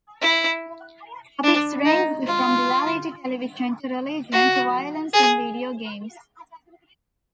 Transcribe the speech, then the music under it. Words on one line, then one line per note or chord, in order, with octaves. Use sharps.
Topics ranged from reality television to religion to violence in video games.
E4
D4
D#4
F4
F#4
G#4